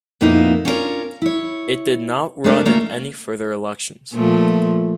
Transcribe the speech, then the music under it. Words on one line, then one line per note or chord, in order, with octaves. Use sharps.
It did not run in any further elections.
F2 A#2 A#3 B3 D#4 E4
C#4 D4 F4 F#4 A#4 C#5
E4 C#5
G#3 A3 D4 A#4
D2 A3 A#3 C#4 A#4 C#5
A#2 F3 A3